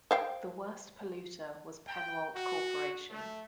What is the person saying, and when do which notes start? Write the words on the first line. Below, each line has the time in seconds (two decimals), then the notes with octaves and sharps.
The worst polluter was Pennwalt Corporation.
0.11 C5 F5 G5
1.88 G5
2.34 F#4
3.10 A3